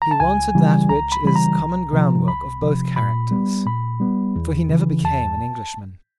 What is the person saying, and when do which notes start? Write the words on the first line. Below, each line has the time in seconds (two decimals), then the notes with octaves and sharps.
He wanted that which is the common groundwork of both characters; for he never became an Englishman.
0.02 A#5
0.11 A5
0.20 C#2 G#5
0.55 C#3 E3 G3
0.89 C#2 A#5
1.12 B5
1.24 C#3 E3 G3 B5
1.36 A#5
1.59 C2
1.93 C3 F3
2.28 C2 B5
2.62 C3 F3
2.96 A#2 B5
3.31 G3 B3
3.66 A#2 B5
4.00 G3 B3
4.36 E2
4.69 C#3 E3
5.04 E2 A5